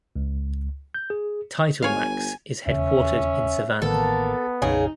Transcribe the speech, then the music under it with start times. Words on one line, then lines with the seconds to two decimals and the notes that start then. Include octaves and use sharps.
TitleMax is headquartered in Savannah.
0.16 C#2
0.95 G6
1.10 G#4
1.82 G1 C#5 F5 G#5
2.67 E1 D#2 C#3 C#4 E5
3.82 A1 D#3 A#3 B3 A4
4.62 A#1 F2 C#3 D#4 G#4